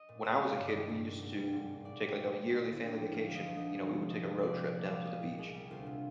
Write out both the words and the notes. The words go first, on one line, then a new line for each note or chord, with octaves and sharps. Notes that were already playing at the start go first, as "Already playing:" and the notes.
when I was a kid, we used to take like a yearly family vacation, you know? We would take a road trip down to the beach,
Already playing: D#5
A#2
C2 F5
G#3 D#5
G2 D5
D#5
D#3
G2
A#3
G#2
G3
G#2
A#3
A#2 D5
G3
G4
A#2
A#3
D#2 D#4
D3
A#3 G4
F3
D2 F5
D3
D#5
D2
D#5
F3
C2 D#5
C3
A#3 D#5
F3
C2 D5
A#2
D5
A#3
G3 F5
C2 D#5
A#2
C2 G#4
G3
D2 F4
C3